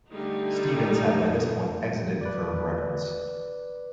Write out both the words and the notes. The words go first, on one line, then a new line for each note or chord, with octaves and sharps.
Stevens had by this point exited Curb Records.
D3 G3 A3 D#4
B4 D5